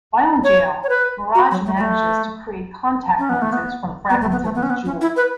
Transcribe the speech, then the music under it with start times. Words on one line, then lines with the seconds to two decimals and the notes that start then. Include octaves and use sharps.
While in jail, Mirage manages to create contact lenses from fragments of his jewel.
0.44 C#5
0.83 C#5
0.89 B4
1.35 F#4
1.51 F#3
1.66 A3
1.76 F#3
1.81 A3
3.19 C#4
3.29 B3
3.42 A3
3.53 B3
4.10 B3
4.21 A3
4.32 B3
4.44 A3
4.55 B3
4.63 C#4
4.70 B3
4.85 C#4
5.01 E4
5.16 B4